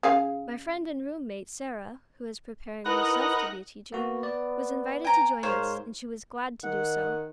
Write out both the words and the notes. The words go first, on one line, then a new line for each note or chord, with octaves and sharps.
My friend and room-mate Sarah, who was preparing herself to be a teacher, was invited to join us, and she was glad to do so.
C#3 G#4 F5
D#4 E4 A#4 B4 F#5 D#6
A#3 B3 F#4
D5
G5 G#5 A#5
G#2 A#4 C5 C#5 F5
D#3 F#5